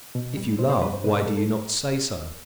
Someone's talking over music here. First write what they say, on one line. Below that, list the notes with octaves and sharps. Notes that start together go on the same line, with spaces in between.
If you love, why do you not say so?
B2
G3
B2 C5
C5
G3 B4
C5
B2 B4
B4
G3 A4
A4